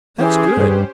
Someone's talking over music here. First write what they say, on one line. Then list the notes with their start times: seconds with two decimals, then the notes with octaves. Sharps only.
That's good.
0.18 E3 C#4 G4 G#4 C5
0.57 G2 B4